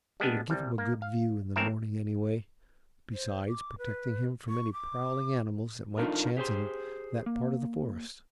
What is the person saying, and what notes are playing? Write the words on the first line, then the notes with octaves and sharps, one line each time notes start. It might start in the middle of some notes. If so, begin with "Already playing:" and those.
It would give him a good view in the morning anyway, besides protecting him from any prowling animals that might chance in that part of the forest.
G3 G#3 B3 D4
C2 G3
A#3
F5
E2 A2 C4 A#4 E5 A5
C5
D6
B4
C#6
D6
D4 D#4 F4 A4 A#4
G4 G#4 C5 C6
A#3